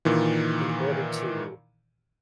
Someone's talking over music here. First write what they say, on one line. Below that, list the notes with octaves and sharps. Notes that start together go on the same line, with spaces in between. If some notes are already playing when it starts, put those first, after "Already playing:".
in order to
A#2 D#3 E3